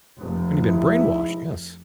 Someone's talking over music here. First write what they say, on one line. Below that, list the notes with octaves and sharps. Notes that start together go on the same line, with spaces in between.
I mean you've been brainwashed, yes.
F1
G#2 E4